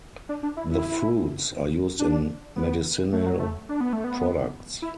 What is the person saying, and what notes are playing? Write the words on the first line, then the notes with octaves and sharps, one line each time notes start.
The fruits are used in medicinal products.
D4
D4
E4
E4
D4
B3
A3
F#3
A3
D4
B3
A3
B3
E4